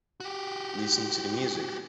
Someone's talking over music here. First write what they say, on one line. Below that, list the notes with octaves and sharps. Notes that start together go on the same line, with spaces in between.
Listen to the music...
F#4 G4